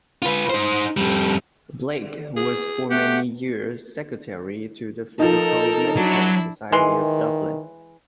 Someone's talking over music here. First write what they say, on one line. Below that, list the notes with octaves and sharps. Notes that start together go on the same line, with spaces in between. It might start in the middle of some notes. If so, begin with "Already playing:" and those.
Blake was for many years Secretary to the Physico-Medical Society of Dublin.
F4 B4
D#4 C5
F2 G3
G#4
A3 F#4 G4 F#5
F3 D#4 A4 A#4
F#3 D4 E4 F#4
D#3 E3 G#3 C6